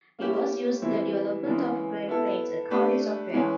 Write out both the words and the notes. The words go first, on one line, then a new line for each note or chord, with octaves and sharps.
It was used in the development of Great Plains accounting software.
A#3 C#4 E4 G4
E3 G3 C4 E4
C#3 E3 G#3
B3 E4 A4
A3 D4 G4 B4
E3 G#3 C#4